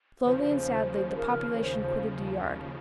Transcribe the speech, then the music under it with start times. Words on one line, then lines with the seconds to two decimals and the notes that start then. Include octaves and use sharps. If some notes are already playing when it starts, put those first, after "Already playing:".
Slowly and sadly the population quitted the yard.
0.25 D#2 C#3 F3 C5
1.09 C5
1.17 A#4
1.56 C#5
1.63 C5